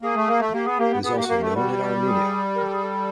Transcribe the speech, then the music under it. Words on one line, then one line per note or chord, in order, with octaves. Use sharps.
It is also known in Armenia.
A#3 G#4
A3
A#3
A3
A#3 G4
B3 G#4
A#3 G4
B3
B3 G#4
A#3 G4
A#3 F#4
G4
A3
G3 F#4
G4
G#4
A#4
A4
G#4
A4